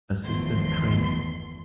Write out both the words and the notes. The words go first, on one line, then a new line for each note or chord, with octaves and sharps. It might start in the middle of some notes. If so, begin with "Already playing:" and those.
Assistant training.
G1 E2 D#3 F3 A3 C6